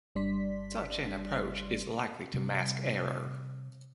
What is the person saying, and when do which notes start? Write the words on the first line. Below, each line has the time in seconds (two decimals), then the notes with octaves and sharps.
Such an approach is likely to mask error.
0.15 G1 G3 D4 D5 C6 B6
2.34 C3 G3